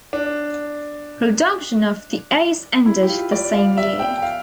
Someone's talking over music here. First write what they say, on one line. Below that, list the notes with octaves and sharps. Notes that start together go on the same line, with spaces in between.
Production of the Ace ended the same year.
D4
E4
G4
F4
D5
F5
E5
G5
G5
F5